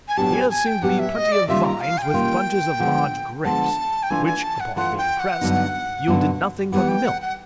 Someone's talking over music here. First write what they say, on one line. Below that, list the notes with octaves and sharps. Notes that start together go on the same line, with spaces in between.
Here seemed to be plenty of vines, with bunches of large grapes, which, upon being pressed, yielded nothing but milk.
G#5
A2 F#3 B3 D4 G4 A5
G#5
G#5
G5
A2 F#3 B3 D4 G4 F#5
E5
D#5
D5
D#3 G3 A#3 C#4 F4 E5
A#5
F5
G#5
G5
D#3 G3 A#3 C#4 F4
D3 F3 G#3 B3
D3 F3 G#3 B3 A5
G5
E3 A3 D4 F4 G#5
G#5
A5
F#5
E3 A3 D4 F4 F#5
G5
F#5
G2 D3 F#3 B3 D#4
G2 D3 F#3 B3 D#4
E3 G3 B3 D#4 F#5
G5
F#5
F#5